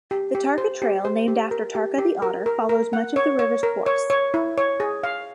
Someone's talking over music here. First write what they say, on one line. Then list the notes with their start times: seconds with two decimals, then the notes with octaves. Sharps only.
The Tarka trail named after Tarka the Otter follows much of the river's course.
0.11 G4
0.35 G4
0.58 C5
0.82 G4
1.05 C5
1.28 G4
1.51 A#4
1.75 G4
1.98 G4
2.22 A#4
2.46 A#4
2.69 A#4
2.93 F#5
3.16 C#5
3.39 C#5
3.63 A#4
3.86 C#5
4.10 C#5
4.34 E4
4.58 C#5
4.80 G#4
5.03 F5